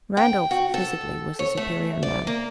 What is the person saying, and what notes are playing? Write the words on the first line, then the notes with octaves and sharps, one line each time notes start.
Randolph, physically, was a superior man.
G5
F#4
A4
C#5
A3
D5
A#3